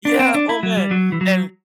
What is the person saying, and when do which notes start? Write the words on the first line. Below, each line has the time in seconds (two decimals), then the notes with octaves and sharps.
Yeah, oh man, and
0.05 D4
0.19 C4
0.35 D4
0.49 E4
0.63 F#3
0.77 G3
0.91 F#3
1.12 E3
1.21 F#3